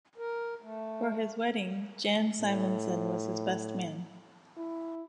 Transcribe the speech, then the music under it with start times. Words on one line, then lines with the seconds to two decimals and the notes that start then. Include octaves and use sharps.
For his wedding, Jan Simonsen was his best man.
0.18 A#4
0.62 A3
2.41 A2
4.57 E4